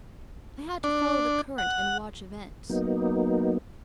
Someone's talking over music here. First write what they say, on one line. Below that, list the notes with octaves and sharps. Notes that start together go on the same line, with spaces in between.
I had to follow the current and watch events.
D4
F#5
F#3 A#3 B3 D#4